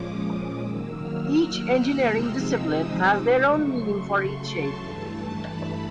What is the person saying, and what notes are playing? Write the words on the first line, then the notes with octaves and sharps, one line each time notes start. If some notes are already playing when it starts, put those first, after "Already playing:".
Each engineering discipline has their own meaning for each shape.
Already playing: A#2 F3 G#3 C#4 D6 D#6
D#3 F#3 A#3 E6
F6
F#6
G6
C3 F3 G#3 C4 D#4 E6
D#6
D6
C#3 F#3 A3 C#6
C6
C6
A5
G2 E3 A3
B5